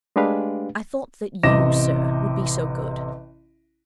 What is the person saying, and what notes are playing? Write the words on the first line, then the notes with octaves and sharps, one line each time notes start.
"I thought that you, sir, would be so good!"
G#3 A3 D4 G4 B4 F5
A1 C3 D#5 D6 A#6 E7